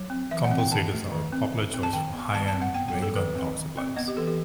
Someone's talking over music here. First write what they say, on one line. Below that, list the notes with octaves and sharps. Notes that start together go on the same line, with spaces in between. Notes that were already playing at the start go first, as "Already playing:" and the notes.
Compulsators are popular choices for high-end railgun power supplies.
Already playing: F#3
C4
E3 E5
F#5
C4
G5
D#3 A5
A3
D#3
C4
D#3
C4
A5
D#3 G5
B3
D#3 A5
A5
C4
F#5
B3 G5
G5
F#3
A4
D#3 B4
C4
D#3
C4
B3 D#5
G4
E3 A4
G4